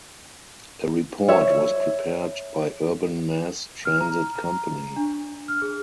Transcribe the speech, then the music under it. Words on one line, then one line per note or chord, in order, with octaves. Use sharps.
A report was prepared by Urban Mass Transit Company.
C#5 E5
F6
A#5
A#5
D4
F6
G#4